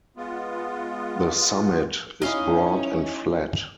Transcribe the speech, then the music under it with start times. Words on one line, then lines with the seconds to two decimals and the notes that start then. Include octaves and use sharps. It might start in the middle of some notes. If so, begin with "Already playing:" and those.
The summit is broad and flat.
0.17 G#3 B3 F4
2.22 C#4 D#4 E4 D#5 F5